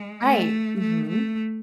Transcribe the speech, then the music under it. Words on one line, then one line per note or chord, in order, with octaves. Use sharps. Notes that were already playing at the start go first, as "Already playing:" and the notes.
Right, mhm.
Already playing: G#3
A3
A3
A3